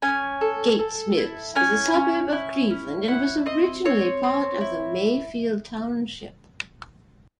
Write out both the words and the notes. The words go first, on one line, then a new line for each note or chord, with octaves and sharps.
Gates Mills is a suburb of Cleveland and was originally part of Mayfield Township.
C#4 G#5
A4
A4
E4
C#4 G#5
C#4
E4
C#4
E4 F#5
C4 D#5
C4 C#5
C4
E4